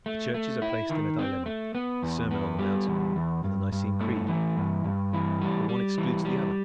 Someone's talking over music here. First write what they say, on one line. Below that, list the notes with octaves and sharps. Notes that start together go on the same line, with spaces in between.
The churches are placed in a dilemma: the Sermon on the Mount or the Nicene Creed--the one excludes the other.
A3
A3
E4
D#3
C4
A3
B3
E2
B3
G3
E2
E2
G2
G2
A3
E3
G2
G2
E3
G3
G3
E3
G3